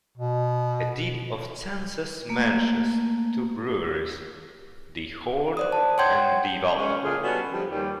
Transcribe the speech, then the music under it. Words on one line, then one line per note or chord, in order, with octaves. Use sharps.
A deed of census mentions two breweries, "De Hoorn" and "De Valck".
B2
A3 A#3
C5 D5 D#6
A5
C#5 F#5 G5 C6 G6 G#6
G#3 C#4
A2 C#3 A3 A#3 F4 G#4
G3 B3 C#4 D4 F#4 A4
D3 F3 G3
D#2 G3